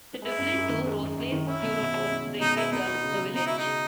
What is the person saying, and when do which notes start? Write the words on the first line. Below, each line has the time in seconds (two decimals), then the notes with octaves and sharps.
The Dublin to Rosslare Europort railway serves the village.
0.22 G#3 E4
0.38 F#2
0.53 F#2
0.69 D#3
0.85 G#3
1.00 F#2
1.16 F#2
1.32 D#3
1.47 C#4 E4
1.63 B2
1.78 B2
1.94 G#3
2.10 C#4
2.25 B2
2.41 B2 D#4
2.56 G#3 E4
2.72 B3 D#4
2.88 F#4
3.03 C#3
3.19 G#3
3.34 B3 D#4
3.46 E4 F#4
3.58 D#4
3.65 C#3